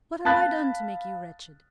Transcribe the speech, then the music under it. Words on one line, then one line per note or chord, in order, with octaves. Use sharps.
"What have I done to make you wretched?"
F5 A5 B5 F#6 A6